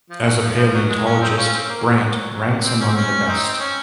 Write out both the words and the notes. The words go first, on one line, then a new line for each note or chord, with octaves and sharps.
As a paleontologist, Brandt ranks among the best.
F3
F#3
F3
F3
F#3
G#3
C#4
C4 D#4
C#4 F4
C4
A#3
F#3
F#3
F#3
F#3
A#3
C4
C#4
C4
C#4
C4 D#4
C4
C#4